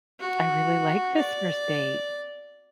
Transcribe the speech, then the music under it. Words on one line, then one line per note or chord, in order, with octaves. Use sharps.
I really like this first date.
F#4
D5